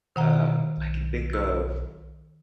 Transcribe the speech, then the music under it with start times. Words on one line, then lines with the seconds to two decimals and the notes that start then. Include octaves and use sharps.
uh, I can think of
0.16 B2 D#3 F#5 A#5
0.77 B1
1.33 E6